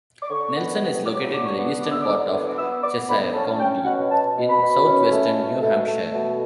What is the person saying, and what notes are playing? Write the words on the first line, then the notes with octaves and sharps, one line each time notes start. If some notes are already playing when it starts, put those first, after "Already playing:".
Nelson is located in the eastern part of Cheshire County, in southwestern New Hampshire.
D6
D3 C#6
B3
G2
F#3 D6
D3 D6
C#6
B3
D3 D6
E6
D6
D3
B3
D6
B3 E6
B3 D6
D3 B5
C#4 A5
A5
C#4 G5
B2 F#5
B2 A5
B2
B5
B2
C#4
A3
B2
A3
A3
B2